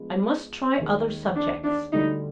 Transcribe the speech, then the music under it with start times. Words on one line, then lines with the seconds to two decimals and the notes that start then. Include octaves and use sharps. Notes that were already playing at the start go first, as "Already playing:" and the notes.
"I must try other subjects."
Already playing: F3 G#3 B3 D4
0.78 D#2 D#3 G#3
1.36 D4
1.64 D4
1.93 D2 D3 G3 D#4